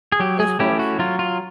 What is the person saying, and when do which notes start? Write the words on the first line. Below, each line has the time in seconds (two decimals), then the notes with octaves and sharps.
It's for a foodie,
0.12 G#4
0.20 F#3 G4
0.40 G#4
0.59 A3 C#4 E4 G4
0.79 F#4
0.99 F#3 F4
1.19 F4